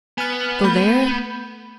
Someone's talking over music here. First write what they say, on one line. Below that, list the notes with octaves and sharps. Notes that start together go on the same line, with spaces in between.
Go there?
B3 G#5 F6
A3 B5 G6